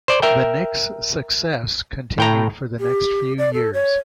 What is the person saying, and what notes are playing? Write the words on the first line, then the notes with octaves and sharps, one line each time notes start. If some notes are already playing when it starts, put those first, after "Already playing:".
The Knicks' success continued for the next few years.
C5 D5
A#4 E5 G5
A2 G5 A#5
G4
D5
A4
C#5